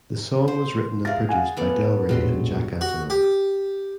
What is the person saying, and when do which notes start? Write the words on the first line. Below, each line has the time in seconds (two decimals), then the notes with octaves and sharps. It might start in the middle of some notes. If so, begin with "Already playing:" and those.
The song was written and produced by Del Rey and Jack Antonoff.
0.48 C5
1.05 G#4 A#4 E5 F5 A6
1.29 F5 F#5 G#5
1.57 A3 B3 D5
2.09 E1 A#1 A2 F#3 G3 C6
2.81 F#4
3.10 G4